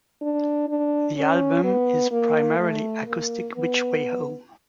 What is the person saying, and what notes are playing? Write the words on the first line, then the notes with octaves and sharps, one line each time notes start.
The album is primarily acoustic-Which Way Home?
D4
D4
C#4
B3
A#3
A3
A#3
B3